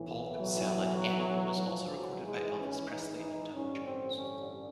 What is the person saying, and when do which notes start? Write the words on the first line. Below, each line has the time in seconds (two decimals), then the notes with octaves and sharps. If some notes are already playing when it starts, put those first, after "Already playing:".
"Polk Salad Annie" was also recorded by Elvis Presley and Tom Jones.
Already playing: B1 A2 E3
0.40 F#3
1.64 G#1 G#2 E3 F3
1.96 F#3
2.27 G#3
2.59 C#4
2.89 D#4
3.21 D#4
3.52 A1 G2 D3 C#4
3.83 C4
4.15 C#4